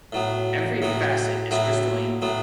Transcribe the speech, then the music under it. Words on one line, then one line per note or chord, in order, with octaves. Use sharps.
Every facet is crystalline.
A2 F#3 B3
A2 F#3 B3
A2 F#3 B3 E4
A2 F#3 B3